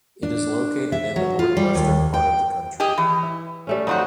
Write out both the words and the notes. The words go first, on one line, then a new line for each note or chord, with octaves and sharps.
It is located in the northwestern part of the country.
D4
E5
F#3
F4
G3
D#2
G5
G4 G#4 D#5
E3
E4
G3 A3 C#4
F2 F#3 D#4 F#4 C5